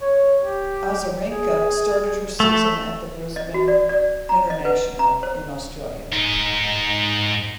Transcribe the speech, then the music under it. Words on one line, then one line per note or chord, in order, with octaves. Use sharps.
Azarenka started her season at the Brisbane International in Australia.
C#5
G4
G#4
A3
D#5
F#4
D5
D5
A#5
D#5
B4
A#5
C5
G#2 D#4